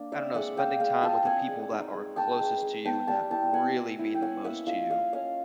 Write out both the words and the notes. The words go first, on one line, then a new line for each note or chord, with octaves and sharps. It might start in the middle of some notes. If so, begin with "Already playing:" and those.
I don't know, spending time with the people that are closest to you, and that really mean the most to you,
Already playing: A#3 D4
C4 D5 E5
G#3 E5 F#5
G#3 F5 G5
G#3 F5 G5
F4 G5 A5
C4 F#5 G#5
G#3
D#4
G#3
G#3 G5 A5
G#3
G#3
B3 G5 A5
G3 G5 A5
E4 G5 A5
B3 F#5 G#5
E4
E4
G5
C#4 F#5 G#5
A#3 E5 F#5
F4 D#5 F5
F4 D#5 F5
C#4 D#5 F5